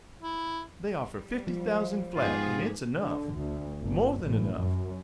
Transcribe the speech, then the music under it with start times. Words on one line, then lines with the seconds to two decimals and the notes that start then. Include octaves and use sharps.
They offer fifty thousand flat, and it's enough--more than enough.
0.21 E4
0.95 G3
1.47 F3
2.16 G#2 B3 F4 G4 G#4
2.96 D3
3.33 D2
3.82 G1
4.20 A1
4.57 F#2